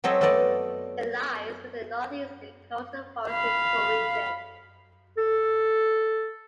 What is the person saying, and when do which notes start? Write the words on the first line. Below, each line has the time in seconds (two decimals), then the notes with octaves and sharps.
It lies within the Northeastern coastal forests ecoregion.
0.04 F#3 C4 A4 C#5 D#5
0.21 A3 B3 F#4 A4 D5 D#5
3.30 F5 B5
5.17 A4